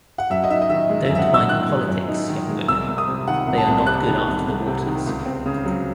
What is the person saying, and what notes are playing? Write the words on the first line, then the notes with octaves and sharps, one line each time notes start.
Don't mind politics, young women, they are not good after the waters.
F#5
F#2 E5
D#5
D#4 E5
D#5
D#3 E5
G#3
E5
F#2
E5
F#5
D#4 E6
D#3 F#6
G#3
F#2
D#4
D#3
G#3
C2 E6
C2
D#6
C3
D#3 F#5
C2
A5
C2
C3 F#6
D#3
C2
C2
C3
D#3
C#2
C4
C#3
F#3